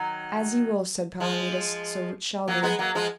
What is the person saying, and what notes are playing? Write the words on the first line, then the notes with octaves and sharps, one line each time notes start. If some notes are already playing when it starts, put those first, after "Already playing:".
As ye will, said Palomides, so it shall be.
Already playing: D#3 F#3
F3 G#3
F#3 A#3
G#3 B3
F#3 A#3
F3 G#3